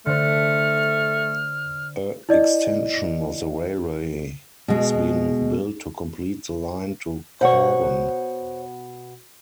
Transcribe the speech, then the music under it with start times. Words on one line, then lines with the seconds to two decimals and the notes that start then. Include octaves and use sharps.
A extension of the railway has been built to complete the line to Corwen.
0.06 D3 A3 C5 F6
2.29 E4 D5 D#5
4.68 B2 G#3
7.41 B2 C5 C#5 F#5